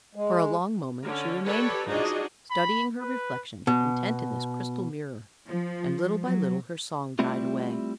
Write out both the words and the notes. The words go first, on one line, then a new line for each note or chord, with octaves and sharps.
For a long moment she remained thus, studying her reflection intently in this crystal mirror, and little by little her song died away.
G#3
D3 C#4
G4 A4 B4 C#5 D5
F3 D4 D#4 F#4 G#4 D#5
B5
B4
B2
F3
F#3
G3 A3 C4 E4 F4